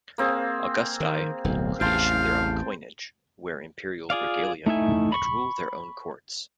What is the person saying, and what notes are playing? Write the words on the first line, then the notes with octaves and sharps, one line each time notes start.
"Augustae" could issue their own coinage, wear imperial regalia, and rule their own courts.
A#3 C4 G#4
D#3
D1 B1
A1 E2 F5 G5 A5 C6
F4 G#4 D5 F5
A3 D#4 E4 E5 G#5
B5 C#6